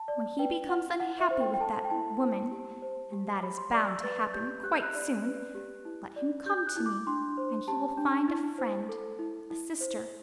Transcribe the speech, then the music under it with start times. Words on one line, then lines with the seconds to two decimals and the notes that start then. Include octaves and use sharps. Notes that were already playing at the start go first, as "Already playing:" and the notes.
When he becomes unhappy with that woman, and that is bound to happen quite soon, let him come to me and he will find a friend, a sister....
Already playing: A5
0.08 D5
0.39 B4 G5
0.69 E4 F#5
1.00 E4 F#5
1.20 E5
1.31 C5
1.40 G5
1.54 G5
1.60 A4 A5
1.84 G5
1.90 E4 A5
2.21 C5
2.51 G4
2.82 C5
3.12 G4
3.42 G4 B5
3.57 C6
3.73 D5 D6
3.88 E6
4.03 B4 A6
4.33 G4 G6
4.63 G4 F#6
4.73 G6
4.83 F#6
4.95 D5
5.25 B4
5.55 G4
5.85 E4
6.16 D5
6.46 G4 G6
6.58 G6
6.67 F#6
6.76 E4
6.86 D6
7.07 D4 C6
7.37 C5
7.68 G4 A5
7.97 D4
8.28 E4
8.58 C5
8.89 A4
9.19 E4
9.50 E4
9.81 C5